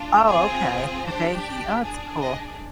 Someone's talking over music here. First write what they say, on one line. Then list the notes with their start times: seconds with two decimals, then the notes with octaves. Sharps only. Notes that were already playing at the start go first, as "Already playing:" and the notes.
Oh okay, "Dhivehi," oh it's cool.
Already playing: D4 F4
0.28 C4 F4 G#4
1.06 D4 G4 C5
1.44 D5
1.83 D4 G#4
2.21 D#5